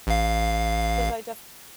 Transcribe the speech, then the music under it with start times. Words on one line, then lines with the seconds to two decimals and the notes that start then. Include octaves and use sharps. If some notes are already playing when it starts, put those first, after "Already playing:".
'Cause I def
0.07 A1 F5